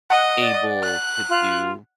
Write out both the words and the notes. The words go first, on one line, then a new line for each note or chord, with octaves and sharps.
able to do
D#5 F#5
D5
F#6
F4